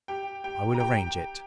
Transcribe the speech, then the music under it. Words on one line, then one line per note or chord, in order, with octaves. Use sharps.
'I will arrange it.
G4 G5
G4 G5
A#5
G4 G5